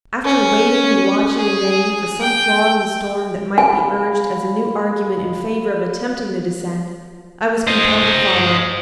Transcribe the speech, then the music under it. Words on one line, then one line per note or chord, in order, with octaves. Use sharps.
After waiting and watching in vain for some flaw in the storm that might be urged as a new argument in favor of attempting the descent, I was compelled to follow.
C#4
G#4
G5
F5 G#5 B5
C5 D#5